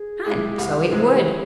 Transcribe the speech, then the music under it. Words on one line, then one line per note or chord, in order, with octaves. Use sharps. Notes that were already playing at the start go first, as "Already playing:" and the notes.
And so it would.
Already playing: G#4
G#3 E4 G4
C2 G4
C3 E3 G#3 C4